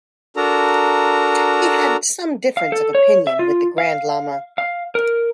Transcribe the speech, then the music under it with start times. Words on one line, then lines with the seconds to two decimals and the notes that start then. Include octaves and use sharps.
He had some difference of opinion with the Grand Lama.
0.36 D4 F#4 A4 A#4 A#5
2.57 F5
2.72 A4
2.95 C#5
3.27 E5
3.39 F4
3.78 F5
4.58 F5
4.95 A#4